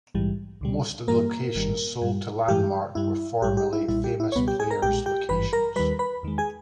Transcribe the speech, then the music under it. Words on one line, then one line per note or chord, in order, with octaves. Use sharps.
Most of the locations sold to Landmark were formerly Famous Players locations.
A#1 G#2 E3 G3
C#2 C#3 G3
G2 E3 G3 A#3 A#4
G1 G2 D#3 G3
G2 G3
G2 E3 G#3 G4
G2 G3 E4
A#1 G#2 G3 G4
G4
E4
B1 A#2 G3 E4
G4
E4
C#5
C#2 B2 G3 B3 B4
G4 G5
G#4 G#5
A#4 A#5
B1 A#2 G#3 G4 G5
G4 G5
G#1 G2 E3 B4 B5
A#4 A#5
D#2 D#3 G3 B4 B5
B4 B5
E2 D#3 G#3
G#4 G#5